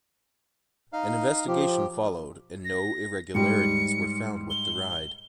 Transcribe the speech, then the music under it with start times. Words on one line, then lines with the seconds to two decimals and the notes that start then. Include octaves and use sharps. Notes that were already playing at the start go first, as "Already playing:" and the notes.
An investigation followed, and no irregularities were found with the ride.
0.93 D#4 F5
1.48 F3 G4
2.65 A#6
3.35 G#2 G3 C#7
4.50 G7